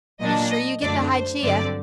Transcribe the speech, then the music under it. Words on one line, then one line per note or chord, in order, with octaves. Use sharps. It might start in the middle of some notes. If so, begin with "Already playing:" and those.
Be sure you get the Hygeia.
A#2 F#3 A#3 D4 D#5
D#5
F#2 D3 A3 D4 D5
C5
G2 D3 F#3 C4 D5